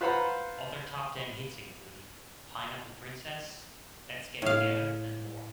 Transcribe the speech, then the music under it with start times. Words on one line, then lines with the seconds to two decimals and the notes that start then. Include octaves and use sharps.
Other top-ten hits include, "Pineapple Princess", "Let's Get Together" and more.
0.01 F4 B4 C5 F#5 A#5 B5
4.42 A2 F5